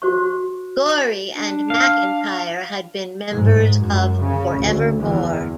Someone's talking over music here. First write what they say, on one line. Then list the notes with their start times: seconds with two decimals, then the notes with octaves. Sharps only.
Gorrie and McIntyre had been members of Forever More.
0.02 F#4 C5 C#6
1.35 D4
1.70 F5
3.32 G#2
3.81 F#2
4.19 C#3
4.58 D2
4.99 E2